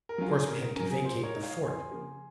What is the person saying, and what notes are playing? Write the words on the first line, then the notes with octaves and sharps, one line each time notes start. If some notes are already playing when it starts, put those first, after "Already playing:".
Of course we had to vacate the fort.
A#4
F#3 C#4 F4
G#4
C#3 A#4
A#4
F#3 C#4 A#4
G#4
A#2 G#4 C5
A#4 C#5
G#3 D#4
C#5 F5
F2 G#5 C6
C#3 F3 A#3